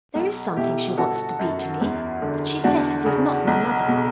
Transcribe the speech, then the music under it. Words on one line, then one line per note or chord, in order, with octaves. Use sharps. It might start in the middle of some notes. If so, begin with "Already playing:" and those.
There is something she wants to be to me, but she says it is not my mother.'
B1
B2 E4 G4
G1 F#4 A4
F#2
E2
D3
E2 D4 F#4
C#3
B1
B2